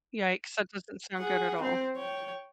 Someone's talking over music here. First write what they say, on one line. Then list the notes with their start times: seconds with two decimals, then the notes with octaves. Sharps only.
Yikes, that doesn't sound good at all.
1.18 G#4 F#5
1.61 C4 C5
1.96 C#5 G5